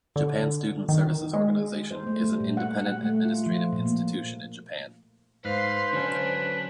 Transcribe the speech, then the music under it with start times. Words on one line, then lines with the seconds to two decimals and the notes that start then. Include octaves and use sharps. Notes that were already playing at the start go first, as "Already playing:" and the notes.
Japan Student Services Organization is an independent administrative institution in Japan.
0.16 D3
0.89 D#3
1.33 G#3
1.91 C5
2.07 A3
2.24 G3
2.40 A#2
2.57 F#5
2.86 F#5
3.03 A3
3.25 F4
3.46 F3
3.73 A#2
3.86 A#3
5.45 G#2 B4 C5 F5 C6
5.93 D3 F#3 C#4 D4